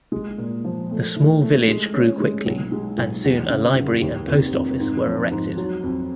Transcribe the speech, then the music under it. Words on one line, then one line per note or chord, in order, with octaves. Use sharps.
The small village grew quickly, and soon a library and post office were erected.
G#3
A#2
F3
A3
E3
A3
G#3
C#4
G#3
B1
G#3
B1
E2
C#3
F#1
D#2
F1
F1
G#2
F3
G#2
F#3
F2